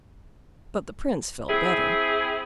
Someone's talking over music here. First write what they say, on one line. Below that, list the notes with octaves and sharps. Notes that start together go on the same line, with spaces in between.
But the prince felt better.
C4 E4 G#4